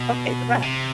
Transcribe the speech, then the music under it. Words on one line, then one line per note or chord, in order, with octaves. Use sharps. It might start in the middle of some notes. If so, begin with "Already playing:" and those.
"Okay, the rat,
Already playing: B2
C3